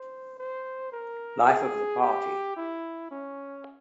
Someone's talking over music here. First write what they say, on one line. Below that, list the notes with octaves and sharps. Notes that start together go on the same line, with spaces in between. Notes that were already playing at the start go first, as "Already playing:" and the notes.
"Life of the Party".
Already playing: C5
C5
A#4
G#4
G4
E4
C#4